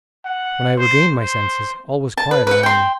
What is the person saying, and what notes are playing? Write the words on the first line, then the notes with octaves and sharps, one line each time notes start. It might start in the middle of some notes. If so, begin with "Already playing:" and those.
When I regained my senses, all was quiet around me.
F#5
C5
C5
A5
B4
B4 F#5
G5 C6